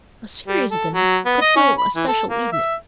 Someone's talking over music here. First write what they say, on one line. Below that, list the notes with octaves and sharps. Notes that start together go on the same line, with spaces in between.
A series of them could fill a special evening.
G3
A4
F#3
B3
D#5
C#4
B5
E3
A4
A#3
E5